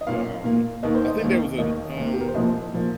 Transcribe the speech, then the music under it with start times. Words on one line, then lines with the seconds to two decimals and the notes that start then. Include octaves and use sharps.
But, um, I think there was an, um
0.01 D#5
0.07 A#2 A#3 F5
0.44 A#2 A#3
0.83 D#2 D#3 A#3 D#5
0.95 C5
1.08 D#5
1.20 D#2 D#3 A#3
1.58 D#2 D#3 A#3 D#5
1.96 D#2 D#3 A#3
2.14 G4
2.21 A#4
2.28 C5
2.34 C2 A#2 F3 A#3 D#5
2.74 A#2 F3 A#3